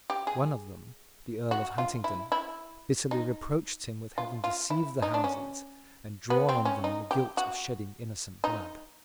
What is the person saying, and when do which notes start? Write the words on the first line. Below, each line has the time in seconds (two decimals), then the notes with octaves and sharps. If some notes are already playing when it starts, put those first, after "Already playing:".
One of them, the Earl of Huntingdon, bitterly reproached him with having deceived the Houses and drawn on them the guilt of shedding innocent blood.
0.10 G4
0.27 G#4
1.51 F#4
1.78 F4
2.04 E4
2.32 E4
3.11 D#4
4.18 F4
4.44 F4
4.70 E4
5.02 D#4
5.14 D4
5.24 C#4
6.30 B3
6.49 C4
6.65 C#4
6.84 D#4
7.11 G4
7.37 F#4
8.44 D#4